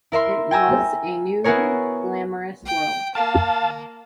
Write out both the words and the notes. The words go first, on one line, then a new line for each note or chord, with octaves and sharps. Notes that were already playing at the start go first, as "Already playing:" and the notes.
It was a new, glamorous world.
E4 A#4 E5 C6
G5 G#5 A#5 E6
B3 E4 F#4 G#4 A#4 C#5
G5
A#3 F5 A5